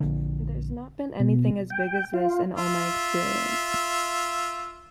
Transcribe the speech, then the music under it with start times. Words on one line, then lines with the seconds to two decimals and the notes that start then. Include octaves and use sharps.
There's not been anything as big as this in all my experience.
0.01 A#1 D3
1.20 B2
1.70 G5
2.14 F4
2.58 F4 E5